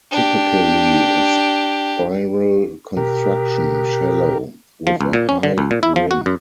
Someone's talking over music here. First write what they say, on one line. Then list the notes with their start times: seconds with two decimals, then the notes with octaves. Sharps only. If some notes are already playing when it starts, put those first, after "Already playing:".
Typically of spiral construction, shallow, with a high rim.
0.11 D4 G4
2.97 B2 G4 A#4
4.87 F3
5.01 C#2
5.13 A#2
5.29 C#4
5.43 D3
5.58 C#2
5.71 A#2
5.83 E4
5.96 F3
6.11 F#4
6.26 F#2